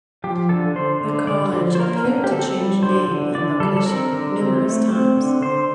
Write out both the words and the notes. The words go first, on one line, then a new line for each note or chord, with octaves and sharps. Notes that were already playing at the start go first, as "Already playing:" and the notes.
The College appeared to change name and location numerous times.
F3 G4
D3 A4
D3 C5
D3
D3 D5
F3
C5
A#3 A#4
D3
G4
C4 A4
G3
D3 C5
D3
D3 D5
G3 A4
A4
C4 A#4
D3
C4
A3
C4
D3
D3 C5